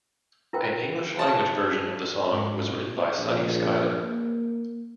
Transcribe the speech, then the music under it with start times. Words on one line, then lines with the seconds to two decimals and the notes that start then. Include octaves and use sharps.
An English-language version of the song was written by Sunny Skylar.
0.53 E4 F4 A#4 B4 G5
1.19 F#4 A4 A5
2.31 G#2 D6
3.17 A#1
3.99 A#3